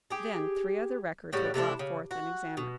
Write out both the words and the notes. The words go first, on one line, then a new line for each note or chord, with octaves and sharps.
Then three other records were brought forth and examined.
G4 G#4
A2 C#3 G3 F#4
C3 A3 D4 E4
C#3
F#4
B2